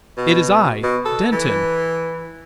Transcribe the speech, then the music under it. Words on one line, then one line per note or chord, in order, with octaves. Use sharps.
It is I--Denton.
B2
B2
A4
E3